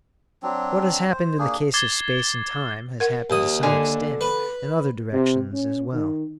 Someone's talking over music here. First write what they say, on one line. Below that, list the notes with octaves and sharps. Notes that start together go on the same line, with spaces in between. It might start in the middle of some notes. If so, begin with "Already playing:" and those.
What has happened in the case of space and time has happened, to some extent, in other directions as well.
F#3 C4 D4
C5
A#3 D4 G#4
D6 G#6 A6 C7 G7
A#4 F#5
D#2 D#6
D3 D5 G#5
B4
C3
C#4
D#3